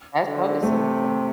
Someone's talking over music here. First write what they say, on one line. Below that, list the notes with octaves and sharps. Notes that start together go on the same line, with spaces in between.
that's always something.
D3
C3 A3